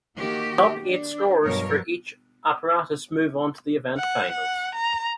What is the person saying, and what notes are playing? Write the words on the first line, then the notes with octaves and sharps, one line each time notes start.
The top eight scorers for each apparatus move on to the event finals.
D#3 A#3 F#4 G4
D4
G2 B2 F3 F#3 A#4 C#5
F#5
F#5
A#5